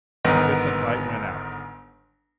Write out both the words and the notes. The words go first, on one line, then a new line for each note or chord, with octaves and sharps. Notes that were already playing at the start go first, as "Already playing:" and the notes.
His distant light went out.
G1 G#2 D#3 B3